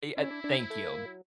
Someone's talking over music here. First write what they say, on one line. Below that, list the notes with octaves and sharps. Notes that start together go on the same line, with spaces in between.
eh, uh, thank you.
C#4 E4
D4
D4
A3
A#3
F#3